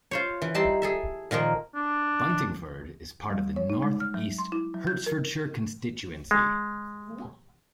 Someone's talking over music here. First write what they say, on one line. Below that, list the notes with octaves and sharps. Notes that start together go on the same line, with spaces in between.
Buntingford is part of the North East Hertfordshire constituency.
F4 C5 C#5
E3
G3 D#4 E4 A5 C6
G#4 A4 E5
A#2 D#3 F3 A#3
D4
G3
C#5
D#4
G#3
F6
F#3
C6
E4
F#3
G6
A#4
G#3